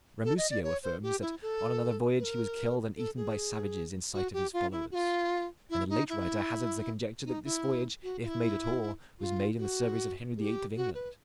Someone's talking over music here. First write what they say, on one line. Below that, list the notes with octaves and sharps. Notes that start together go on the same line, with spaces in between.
Ramusio affirms, that, on another voyage, he was killed and eaten by savages, in sight of his followers; and a late writer hazards the conjecture that this voyage, if made at all, was made in the service of Henry the Eighth of England.
A4
D#5
D5
C#5
C5
G4
E4
A4
B4
A#4
A4
G#4
F#4
G4
F4
E4
F#4
F4
E4
D#4
E4
D#4
E4
F#4
F4
E4
F4
F#4
G#4
G4
F#4
B4